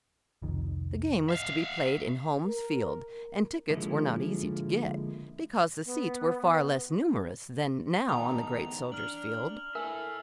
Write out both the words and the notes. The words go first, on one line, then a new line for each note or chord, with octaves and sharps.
The game was to be played in Holmes' Field, and tickets were not easy to get, because the seats were far less numerous than now on the great Soldiers' Field.
F1 C2 F2 D#3
E5 F5
A#4
D3 F3 G#3 A#3 E4
B3
E2 D#3 G5 A5 A#5 D#6 F7
D4 F6 F#7
E4 A4 A#4 E5 G#5 E6